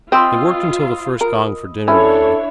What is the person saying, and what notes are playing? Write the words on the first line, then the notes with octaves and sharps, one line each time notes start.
They worked until the first gong for dinner rang.
C4 F4 D#5 B5 E6
A#4
C#4 D4 E4 A4 C#5